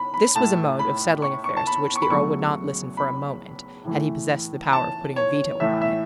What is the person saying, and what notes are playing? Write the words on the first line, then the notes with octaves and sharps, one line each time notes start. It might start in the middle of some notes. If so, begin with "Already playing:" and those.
This was a mode of settling affairs to which the Earl would not listen for a moment, had he possessed the power of putting a veto upon it.
Already playing: B5
B5
A2 A3 A5
B5
C#6
C#6
A5
B5
C#6
B5
E2 C#3 F#3 A3 C#6
B5
A2 E3 A3
A5
C#5
A2 E3 A3 E5
E5